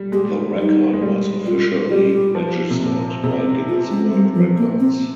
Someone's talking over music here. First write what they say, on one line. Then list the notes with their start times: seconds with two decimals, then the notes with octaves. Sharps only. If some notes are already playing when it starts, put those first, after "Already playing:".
The record was officially registered by Guinness World Records.
Already playing: G3
0.12 G#3 G4
0.56 G3 D#4
0.93 G#3
1.01 G3
1.45 G3 F4
1.91 G3 G4
2.35 F3
2.70 C3
2.80 A#2
3.24 C3 G#4
3.46 C4
3.69 F4
3.91 G#3
4.13 G3
4.35 F3
4.57 A#3
4.80 C4